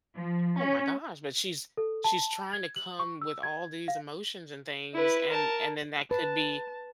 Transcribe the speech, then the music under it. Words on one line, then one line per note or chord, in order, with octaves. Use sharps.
oh my gosh, but she's she's trying to come with all these emotions and things, and and then that could be
F3
C#4
A4
A5
G#6
F#7
C#6
E6
G#6
F5
E4 B4
A#4 A5
B4 A5